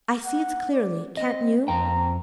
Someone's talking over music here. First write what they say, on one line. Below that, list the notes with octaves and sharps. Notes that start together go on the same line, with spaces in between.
I see it clearly, can't you?
F#5
D5
C4 D#5
F2 G5 A#5